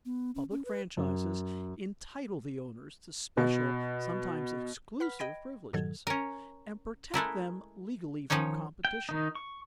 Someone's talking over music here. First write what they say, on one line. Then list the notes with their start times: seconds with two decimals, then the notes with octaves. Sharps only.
Public franchises entitle the owners to special, sometimes exclusive, privileges, and protect them legally from competition.
0.05 B3
0.35 C#4
0.51 C#4
0.65 B4
0.97 F#2
3.37 B2
5.00 B4 F#5 B5 F6 B6
5.19 D#5 G5 B5 G#6 A#6 D7
5.73 G2 A#2 D#3 F#3 A4 G#6
6.07 C#4 A#4
7.14 G#3 A3 E4 A#4
8.30 D#3 F3 C#4 D#4 C#5
8.85 G5
9.09 D#3 D#4
9.35 C#6